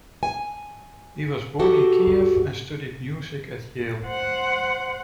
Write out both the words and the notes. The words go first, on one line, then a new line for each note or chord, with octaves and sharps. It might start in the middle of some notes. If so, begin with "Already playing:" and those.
He was born in Kiev, and studied music at Yale.
G#5
F#4 G4 A4 F#5
C5 F#5